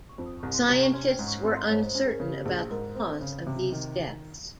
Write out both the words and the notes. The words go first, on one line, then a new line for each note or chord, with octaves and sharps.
Scientists were uncertain about the cause of these deaths.
C#6
F2
D#6
C2 C#6
C6
C3 C#6
C#6
C#4 C6
G5
G#2
C#6
G#1 C6
C6
G#2 C#5
C5
C#4 C5
G#4
A#4
C#3
G4
A#1 G#4
G#2 A#4
C4
C#3
C3
D#3